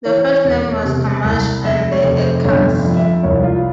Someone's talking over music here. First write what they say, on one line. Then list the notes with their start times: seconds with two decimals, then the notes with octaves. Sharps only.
The first name was "Kamash and the Eckers".
0.05 E3 C#5
0.18 C5
0.31 C#5
0.44 E1 C#5
0.85 C3
1.24 C2
1.65 F1 E5
1.91 C#5
2.04 F1
2.18 C5
2.44 G1 C#5
2.84 F2
2.96 E5
3.23 C2 C#5
3.43 F4